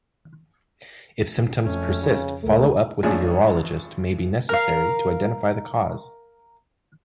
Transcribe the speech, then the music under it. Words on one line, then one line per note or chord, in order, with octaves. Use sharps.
If symptoms persist, follow-up with a urologist may be necessary to identify the cause.
F2 A3 C#4
C#3
C#2 A3 A#4
G#1 F3 C#4 D4 G#4 G#5
A#4 F5